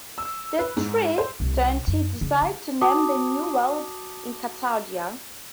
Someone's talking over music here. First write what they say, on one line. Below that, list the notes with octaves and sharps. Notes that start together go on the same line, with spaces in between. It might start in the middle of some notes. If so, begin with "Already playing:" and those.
The three deities decided to name the new world Encantadia.
E6
B4
G#2
C5
C2
F#2
C#3
G#3
F#4 A5 D6 D#6